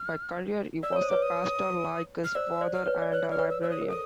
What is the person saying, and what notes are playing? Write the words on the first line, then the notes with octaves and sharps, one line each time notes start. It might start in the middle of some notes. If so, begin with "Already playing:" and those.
By career he was a pastor, like his father, and a librarian.
Already playing: F6
D5 E6
C#5 D#6
C5
B4 C#5 D6
D#6
F6
C5 D5 E6
C5 D5
F6
B4 C#5
D5
B4 C#5 F#6
D5 F6
B4 C#5
E6
C5 E6
D#6
A#4
A4 D#6